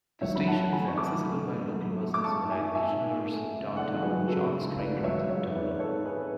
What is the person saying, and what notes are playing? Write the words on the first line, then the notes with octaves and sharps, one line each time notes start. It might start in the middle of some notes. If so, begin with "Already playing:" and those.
The station is accessible by local buses via Kitchener's downtown Charles Street transit terminal.
F#3 C#5 E5
F#3 B5
F#5 A5
F#2
A3 G#5 B5
F#2 C#6
B5 D6
F#3
A3
D3
F#2
F#3
A3
A3
D6
G#3 A5 C#6
G#2
E5 G#5
G#2
G#2 E5 G#5
G#2
G#2
A3
F#2
C#3
A3 D5 F#5
F#3
G#4 B4
F#3
C#3 F#4 A4
C#3
C#2
A3 B4 D5
F#3
C#5 E5
F#3
G#3 C#5 E5
G#2
B4 D5
G#3
G#2 A4 C#5
G#2
G#4 B4